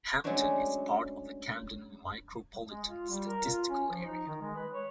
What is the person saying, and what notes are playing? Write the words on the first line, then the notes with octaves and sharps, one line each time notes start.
Hampton is part of the Camden Micropolitan Statistical Area.
F#3 G#3 A3 C#4 D4 F#4
G#3
F4
G3
A#4
F4
C#4
F3
D#4
D#3
G#3
B4
C#5